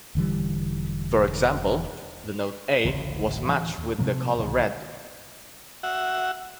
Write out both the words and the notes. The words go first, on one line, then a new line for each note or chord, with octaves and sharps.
For example, the note A was matched with the colour red.
E1 D3 E3 G3
D1 A1 C#3
D1 D2 E3
D2
B2 F3 A3 A#3
C2 B2 D#3 E3
F#4 E5 F#5